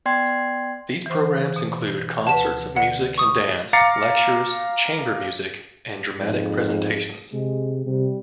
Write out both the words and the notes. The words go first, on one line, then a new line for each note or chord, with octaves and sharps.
These programs include concerts of music and dance, lectures, chamber music, and dramatic presentations.
B3 D5 G5 C6 G#6 C7
E3 C5
B2
D2 B4 A5 E7
D3 F#5
C#6 D#6
F5 A#5 D6 A6 C7 C#7
F2 G#2
C3 G#3
C3 G3